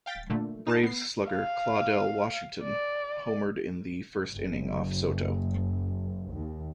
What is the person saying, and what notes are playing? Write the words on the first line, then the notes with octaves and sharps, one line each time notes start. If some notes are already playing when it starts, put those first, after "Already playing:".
Braves slugger Claudell Washington homered in the first inning off Soto.
F5 G5 A6 B6
A#2 D3 A3
D#4 F4 A5
B3 C7
F5
D5
F#1
D#2